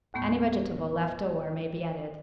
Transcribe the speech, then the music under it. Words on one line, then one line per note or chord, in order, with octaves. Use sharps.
Any vegetable left over may be added.
D#2 A2 A3 B3 C#6 G6